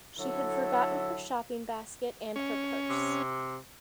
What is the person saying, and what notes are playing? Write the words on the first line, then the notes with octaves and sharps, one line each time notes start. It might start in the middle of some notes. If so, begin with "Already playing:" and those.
She had forgotten her shopping basket and her purse.
D3 F#3 E4 A4
C#4
C3